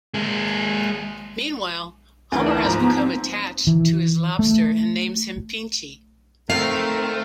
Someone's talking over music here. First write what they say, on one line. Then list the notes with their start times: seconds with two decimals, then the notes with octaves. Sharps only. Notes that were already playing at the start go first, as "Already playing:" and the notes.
Meanwhile, Homer has become attached to his lobster and names him Pinchy.
0.14 G#3 A#3
2.32 D2 E3 A#4
2.46 D4 D#4 A5
2.64 G#2 F3 A#5
2.79 B3
2.95 C4
3.67 E3
4.39 A3
6.50 D#3 A3 C4 F5